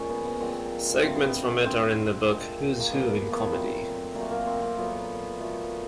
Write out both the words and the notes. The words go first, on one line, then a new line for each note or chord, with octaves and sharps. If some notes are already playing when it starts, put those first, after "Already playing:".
Segments from it are in the book "Who's Who in Comedy".
Already playing: A#2 F3 G#3 C#4
B3
B3
A#2 F3 G#3 C4
D3 F#3 A3 C4
B3
C4
B3
D3 F#3 A3 C4
A#2 F3 G#3
A#3
A#2 F3 G#3 B3
A#3
B3
A#2 F#3 A3 C4
A#2 F#3 A3 A#3
A#3
C4
C4
A#2 F#3 A3 B3
A#2 F#3 A3